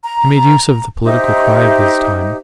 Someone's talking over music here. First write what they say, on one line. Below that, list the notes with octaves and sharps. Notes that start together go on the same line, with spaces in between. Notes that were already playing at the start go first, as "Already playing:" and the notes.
He made use of the political cry of his time.
A#5
D#4 G4 C5 E5